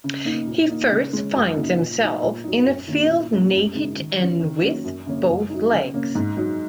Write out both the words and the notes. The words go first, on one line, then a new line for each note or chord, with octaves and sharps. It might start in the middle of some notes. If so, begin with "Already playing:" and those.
He first finds himself in a field naked-and with both legs.
C#3
A#3 D#4
A#2
A#3 D#4
C#3
G#3 C#4
F#2
C#3 F#3 A#3 D#4
A#2
F#3 D#4
A#2
F#3 D#4
F#2
D#3 A#3 C#4
A#2
A#3 C#4
F#2
C#3 G#3 D#4
D#3
F#3 C#4
D#3
F#3 A#3 C#4
F#2
C#3 A#3 C#4
F#2
F#3 D#4
C#3
A#3 C#4
G#2
F#3 D#4